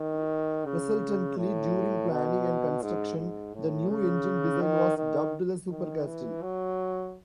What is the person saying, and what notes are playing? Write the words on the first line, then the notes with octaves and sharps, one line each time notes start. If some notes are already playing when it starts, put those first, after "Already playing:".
Resultantly, during planning and construction, the new engine design was dubbed the "Super-Castle".
Already playing: D#3
C#3
A2
B2
G#2
G#2
A2
C#3
D#3
D#3
D#3
E3
F#3